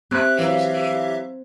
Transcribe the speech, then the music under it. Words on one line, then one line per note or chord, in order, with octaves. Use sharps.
I finished it,
C4 G4 E5 F#6
E3 F#3 F5